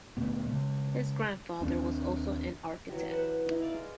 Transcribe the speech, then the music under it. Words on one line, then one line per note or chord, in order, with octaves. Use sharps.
His grandfather was also an architect.
D2 A#2 B3
C#3 G#3
D#2 C4 D4
E3 F#3 G4
B4 C5 F#5 A5
D#4 E4
D5 F5
G#3